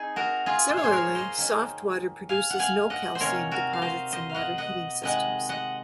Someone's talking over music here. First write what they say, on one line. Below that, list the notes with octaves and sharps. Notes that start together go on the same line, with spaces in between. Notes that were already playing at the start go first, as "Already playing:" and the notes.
Similarly, soft water produces no calcium deposits in water heating systems.
Already playing: C4 D#4 G#4
F#4 A#4
F4 G#4
C5
C#5
G#4 C5
A#4 C#5
C5 D#5
D#3 A#3 C#4
F5 G#5
F#5
F5 G#5
D#5 F#5
C5
C3 D#3 A#3 C#4 A#4 C#5
F#4 A#4
F5
C5 D#5
C5 D#5
F5
D#5 F#5
D#5 F#5
C3 D#3 G#3 D#5 F#5
D#5 F#5